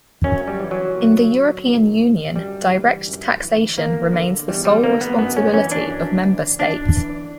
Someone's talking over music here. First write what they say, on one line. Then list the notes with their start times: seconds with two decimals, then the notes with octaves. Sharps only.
In the European Union direct taxation remains the sole responsibility of member states.
0.24 F#2 C#4
0.48 G3
0.60 E3
0.71 F#3
0.95 A#2
1.66 A#2
2.36 F#2 G3
2.72 E3
3.07 F#2
3.42 E3
3.77 E2 A#3
4.13 D3
4.48 E2 G3
4.65 G3
4.83 D3 A#3
5.01 B3
5.19 F#2 B3
5.37 C#4
5.54 E3 C#4
5.72 D4
5.89 F#2
6.25 E3
6.60 F#2 D4
6.96 E3